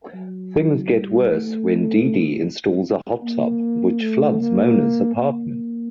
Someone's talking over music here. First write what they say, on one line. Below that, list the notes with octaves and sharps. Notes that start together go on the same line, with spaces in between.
Things get worse when Dee Dee installs a hot tub, which floods Mona's apartment.
F#3
G3
A3
A#3
A3
A#3
A#3